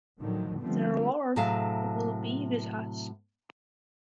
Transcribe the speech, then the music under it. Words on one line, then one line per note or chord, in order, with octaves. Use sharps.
The Lord will be with us.
A2 D3 D#3 F3 F#3
D3 F3 G3 A3 B3 C4
A2 C3 F#3 G#4 F5 A5